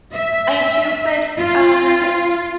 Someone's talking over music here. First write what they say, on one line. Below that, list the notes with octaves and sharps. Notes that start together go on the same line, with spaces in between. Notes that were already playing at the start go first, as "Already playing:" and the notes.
I do, but, uh,
E5
F4